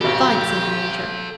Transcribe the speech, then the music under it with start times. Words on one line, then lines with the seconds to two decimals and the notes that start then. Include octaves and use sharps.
"Fine," said the Major.
0.01 G#1 B2 G4 A4 F5